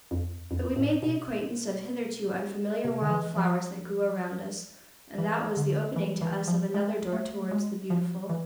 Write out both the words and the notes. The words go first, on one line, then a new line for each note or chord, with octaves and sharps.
But we made the acquaintance of hitherto unfamiliar wild flowers that grew around us, and that was the opening to us of another door towards the Beautiful.
F2
F2
A2
B2
C3
D3
E3
F3
E3
D3
E3
E3
F3
G#3
A3
G#3
F3
E3